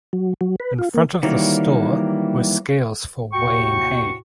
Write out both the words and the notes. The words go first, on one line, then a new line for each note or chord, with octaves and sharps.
In front of the store were scales for weighing hay.
F#3
F#3
B4
F4
A#3
D#3 E3 F#3 G3 A#3
D#2 A2 C3 F#4 G5 C#6